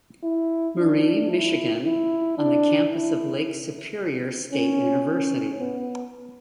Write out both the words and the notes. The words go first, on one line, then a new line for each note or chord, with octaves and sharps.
Marie, Michigan on the campus of Lake Superior State University.
E4
D4
E4
E4
D4
E4
C#4
C#4
B3